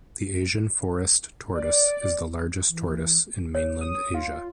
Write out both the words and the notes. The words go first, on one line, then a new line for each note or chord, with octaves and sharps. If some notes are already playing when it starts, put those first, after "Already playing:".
The Asian forest tortoise is the largest tortoise in mainland Asia.
D5
E3
C#5
D#6
F4